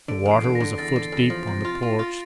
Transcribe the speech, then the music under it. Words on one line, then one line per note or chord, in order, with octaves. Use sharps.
The water was a foot deep on the porch.
D3 D7
E2
C7
D3
A#6
D3
E2 A6
D3
E2
F3
C3
F4
F4
F4